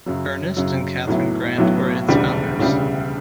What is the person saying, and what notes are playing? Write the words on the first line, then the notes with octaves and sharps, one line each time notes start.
Ernest and Catharine Grant were its founders.
F#2 C#3 F#3
F#2 C#3 F#3
B1 A2 F#3 B3 E4
B1 A2 F#3 B3 E4
E1 D2 C#3 G3
E1 D2 C#3 G3